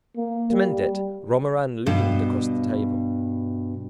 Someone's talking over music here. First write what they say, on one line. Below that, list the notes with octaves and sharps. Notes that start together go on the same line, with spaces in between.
To mend it, Romarin leaned across the table.
A#3
G3
G2 B2